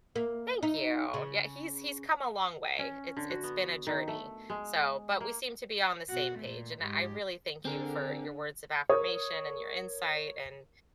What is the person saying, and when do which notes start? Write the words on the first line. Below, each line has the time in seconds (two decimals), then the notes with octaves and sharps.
Thank you, yeah, he's he's come a long way, it's it's been a journey, so, but we seem to be on the same page and that I really thank you for your words of affirmation and your insight and
0.16 A#3
0.63 D#4
1.14 C#3
2.79 C#4
3.17 D3
3.30 F#4
3.43 B3
3.87 D#3
4.08 A3
4.50 G#3
5.20 A#3
6.10 B2 F#4
6.39 A#2 A3
6.82 G#2 G4
7.65 D3 C4 G#4 A#4
8.89 A#4 C#5 D#6